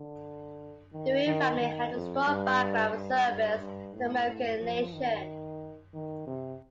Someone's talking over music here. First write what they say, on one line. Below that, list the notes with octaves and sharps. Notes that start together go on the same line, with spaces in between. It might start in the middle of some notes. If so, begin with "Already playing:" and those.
The Wead family had a strong background of service to the American nation.
Already playing: D3
D#3
D#3
D#3
F2
G2
G2
G2
G2
A2
A2
F3
D#3
D#3
C3